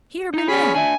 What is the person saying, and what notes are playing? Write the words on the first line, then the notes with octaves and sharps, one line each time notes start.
Here be men!
D#4 A#5
C#4 G#4 D5 B5
D4 E5 G#5